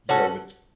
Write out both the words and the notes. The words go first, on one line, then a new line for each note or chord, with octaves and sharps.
you know, with,
C#4 F#4 A4